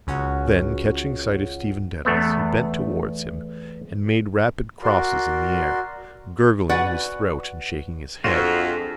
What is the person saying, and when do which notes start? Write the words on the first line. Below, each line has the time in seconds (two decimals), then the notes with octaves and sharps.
Then, catching sight of Stephen Dedalus, he bent towards him and made rapid crosses in the air, gurgling in his throat and shaking his head.
0.07 C#2 C#4 F#4
2.05 E2 A3 B3
4.83 F#4 A#4 D5 C6
6.69 F#4 B4 D5 F#5 G#5
8.24 F2 D4 F4 F#4 G#4 A4 A#6